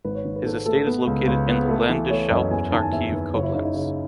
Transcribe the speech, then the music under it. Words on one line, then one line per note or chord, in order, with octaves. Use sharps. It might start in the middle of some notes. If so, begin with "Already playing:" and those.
His estate is located in the Landeshauptarchiv Koblenz.
G#1 B4
C#5
D#3
B4
G#2 A4
A3 A4
B3 B4
C#2
C#2
B3
A3
E3
A3 C#5
F#2 D#5
E2 G#5
G#5
D#3 A5
G#5
E2 E5
D#3 B4
F#1 C#5
E4
C#3 D#4
D#4
C#3